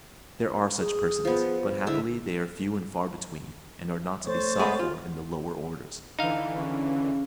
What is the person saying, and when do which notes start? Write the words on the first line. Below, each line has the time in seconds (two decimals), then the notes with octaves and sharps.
There are such persons, but happily they are few and far between, and are not to be sought for in the lower orders.
0.77 G#4
1.25 F3 B3
1.87 D3 G#3 E4 E5
4.27 A3 C5 C#5 A6
4.59 G#3 B3 G#4
4.79 F4
6.19 D3 E3 D#4 F5
6.56 C#3 C#4